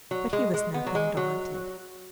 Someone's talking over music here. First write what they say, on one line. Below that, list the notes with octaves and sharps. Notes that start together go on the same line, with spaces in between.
'But he was nothing daunted.
F#3
G#3
G#3
B3
F#3
G#3
F#3